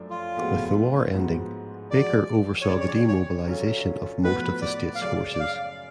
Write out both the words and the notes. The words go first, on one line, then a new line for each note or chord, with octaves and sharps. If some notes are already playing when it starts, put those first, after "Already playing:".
With the war ending, Baker oversaw the demobilization of most of the state's forces.
Already playing: F#2 F3 A3 D4
F4
A2 F3 G#3 B3 F#4
G#2 F3 G#3 B3 F#4
F3 G#3 D4 F#4 D5
C#5
F2 C#3 G#3 C#4 D5
C#5
D5
C#5
D3 F#3 C#4 F4
A2 F3 B3 F#4 B4
D5
F5
F#2 C#3 G#3 D5
D5
F5